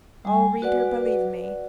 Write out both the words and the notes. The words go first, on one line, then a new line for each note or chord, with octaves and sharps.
Oh, reader, believe me!
G3 G#5
F#4 B4 D5 F#5